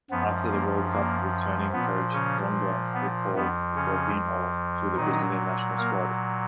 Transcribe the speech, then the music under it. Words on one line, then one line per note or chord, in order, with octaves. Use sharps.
After the World Cup, returning coach Dunga recalled Robinho to the Brazilian national squad.
F#2 F3 B3
A#3
A#3
A#2 F3 B3
C#3 C#4
B3
F2 F3 B3
C#3 C#4
A#2 D#3 F#3 D#4
A#3 A#4